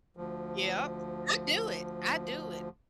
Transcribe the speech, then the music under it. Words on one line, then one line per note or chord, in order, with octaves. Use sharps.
yep. I do it. I do it.
D2 F3